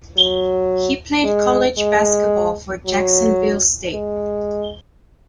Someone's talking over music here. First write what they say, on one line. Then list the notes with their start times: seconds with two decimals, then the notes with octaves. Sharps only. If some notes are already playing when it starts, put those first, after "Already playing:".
He played college basketball for Jacksonville State.
0.17 F#3
1.24 G#3
1.78 G#3
2.86 F#3
3.93 G#3